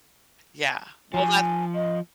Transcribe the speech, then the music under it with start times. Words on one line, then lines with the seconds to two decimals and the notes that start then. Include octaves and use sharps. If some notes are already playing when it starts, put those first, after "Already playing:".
Yeah, well, that's
1.14 F3 G#5
1.75 D#5